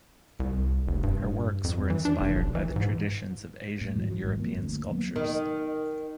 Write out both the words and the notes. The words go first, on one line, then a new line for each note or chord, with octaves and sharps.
Her works were inspired by the traditions of Asian and European sculptures.
C2
F1
G2
F2
E3
D4
F1
B1
E3
G#2
A2
G#2 E3 F#3
G#1 G#2
G1 F2 A#3
D2
F#3 A#3 B3
D#3